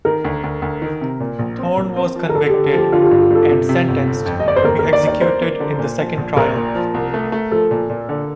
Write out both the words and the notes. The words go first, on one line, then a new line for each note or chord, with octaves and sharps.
Thorne was convicted and sentenced to be executed in the second trial.
D#3 A#4
D2
D2
D2
D#3
C3
A#2
A#1
C4
A#1
C4
F3
A#4
D3 A4
D3 G4
A4
F3 G4
D3 F4
G4
G2 F4
G4
G2 A4
C3
C3
G1
G1
F2
D#5
G1 D5
C5
D#2 A#4
D#2 A#4
D5
D#2 D5
A#3 C5
A#3
D3
A#2
F3
A#1
A#1 A#4
A#2
F3
C2
A3
A3
F3 A4
A#2
A#2
D3